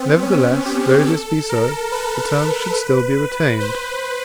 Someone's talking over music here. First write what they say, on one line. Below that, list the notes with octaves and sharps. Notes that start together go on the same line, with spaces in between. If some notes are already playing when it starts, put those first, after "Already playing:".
Nevertheless, though this be so, the terms should still be retained.
Already playing: B3 C4
C#4
G4
A4
A#4
B4
C5